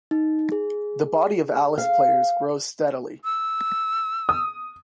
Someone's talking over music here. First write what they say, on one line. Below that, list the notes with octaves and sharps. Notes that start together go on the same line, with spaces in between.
The body of Alice players grows steadily.
D#4
G#4
F5
E6
D#6